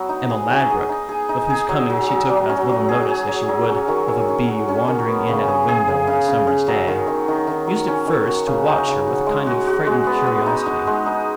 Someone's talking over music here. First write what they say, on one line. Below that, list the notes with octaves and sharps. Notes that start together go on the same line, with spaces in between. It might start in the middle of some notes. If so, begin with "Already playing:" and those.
Emma Ladbruk, of whose coming she took as little notice as she would of a bee wandering in at a window on a summer’s day, used at first to watch her with a kind of frightened curiosity.
Already playing: F#3 B3
D#4
G#4
F#3
G#4
D#4
G#4
D#4
G#4
F#3
F#3
F#3
F#3
C#4
F#3
G#4
G#4
F#3
F#3
C#4
D#3
F#3
C#4
F#3
C#4
D#3
B3
C#3
G#4
G#4
C#3
C#3
C#3
C#3
F#3
D#3
D#3
D#3
D#3
F#3
C#4
D#3
F#4
C#3
D#4
C#3
F#4
G#3
F#4
F#4
G#3
B3
B3
D#4
D#4
G#3
D#4